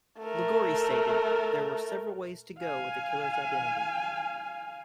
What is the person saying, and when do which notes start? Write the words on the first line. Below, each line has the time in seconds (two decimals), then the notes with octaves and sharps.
Ligouri stated there were several ways to go with the killer's identity.
0.20 A3 A#4
2.60 F5 G#5